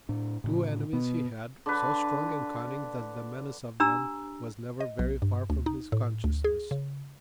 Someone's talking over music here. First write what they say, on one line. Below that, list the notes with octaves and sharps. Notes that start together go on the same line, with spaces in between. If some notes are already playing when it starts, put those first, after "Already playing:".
Two enemies he had, so strong and cunning that the menace of them was never very far from his consciousness.
A2 D4
A2 C#3
B2 B3
D3 B4
D4 G4 A#5 E6
D#5
B1
G2
D2
D#4
A2
D2
G#4
C#3